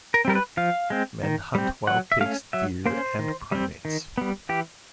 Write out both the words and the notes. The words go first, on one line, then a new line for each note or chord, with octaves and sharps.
Men hunt wild pigs, deer and primates.
A#4
G3 C4 A#4
B4
F3 F5
G#3 C4
D#3
G3 C4
F#3 F#5
E5
A3 C#4 F5
F#3 E5
A#3 C#4 C5
D#3
G3 C4
D#3
G3 B3
E3 G4